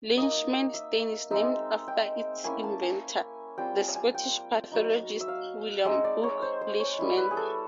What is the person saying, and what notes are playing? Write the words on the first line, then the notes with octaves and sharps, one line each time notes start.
Leishman stain is named after its inventor, the Scottish pathologist William Boog Leishman.
A#3 D#4 D#5
E5
G#3 C4 D#4 E5
G5
A#3 C#4 E4 G#5
A5
G#5
G3 C4 F4 G5
G#5
G#5
G5
F#3 B3 D#4
E5
F5
G#3 C4 D#4 E5
D5
C#5
C5
C5
C#5
G3 B3 E4
B4
G#4
A4